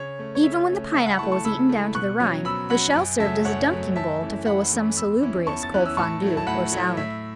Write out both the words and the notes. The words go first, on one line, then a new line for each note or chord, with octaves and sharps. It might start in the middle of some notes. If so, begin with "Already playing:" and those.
Even when the Pineapple was eaten down to the rind the shell served as a dunking bowl to fill with some salubrious cold Fondue or salad.
Already playing: C#3 C#5
A3 C#4
C#5
C#3 E5
A3 C#4
C#3 E5 A5
F#5 B5
A3 E4 A5 C#6
A5 C#6
C#3 B5 E6
A3 E4
B2 C#6 F#6
F#3 C#4
B2 B5 E6
F#3 C#4 F#5 B5
F#2
C#3 F#3 A3 E5 A5
F#2 C#5 F#5
C#3 F#3 A3
F#2 E5 A5
E3 A3 C#4 E4
F#2 F#5 B5
E3 A3 C#4 E4
E2 B5 E6
E3 C#4 E4
E2 A5 C#6
A6
E3 C#4 E4 F#6
E6
A2 A5 C#6
F#3 A3 E4
A5
A2 F#5 B5
F#3 A3 E4
A2 E5